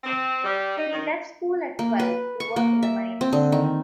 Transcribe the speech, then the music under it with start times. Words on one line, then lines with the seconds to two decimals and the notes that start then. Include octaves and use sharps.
He left school at twelve to work in the mines.
0.04 C4
0.44 G3
0.77 D#4
0.92 D#3
1.79 A#3
1.99 B4
2.40 C#6
2.56 A#3
2.83 E5
3.21 C4
3.33 D3
3.52 D#3